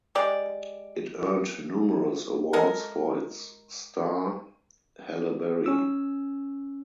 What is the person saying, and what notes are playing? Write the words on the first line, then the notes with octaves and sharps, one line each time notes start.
It earned numerous awards for its star, Halle Berry.
G#3 G4 D5
G#3 A4 A#4
C#4 E6